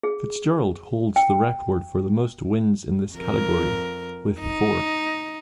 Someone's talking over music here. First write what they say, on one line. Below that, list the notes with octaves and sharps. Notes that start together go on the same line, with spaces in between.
Fitzgerald holds the record for the most wins in this category, with four.
G#4
G5
F2 A#4
D#4